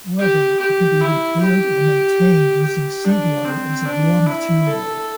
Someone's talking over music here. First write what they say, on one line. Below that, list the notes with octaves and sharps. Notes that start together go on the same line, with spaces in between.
However, it can be repaired and maintained using seawater as a raw material.
G4
G4
E4
G4
G4
D4
C4
D4
E4
A4